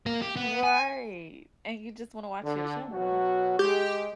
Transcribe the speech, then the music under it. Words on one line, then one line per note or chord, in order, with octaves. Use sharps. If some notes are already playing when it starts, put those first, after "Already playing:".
Right, and you just wanna watch your show.
A#3 A#4
G4
B3
G#5
D3
B2 F#3 F#4
G#3 G4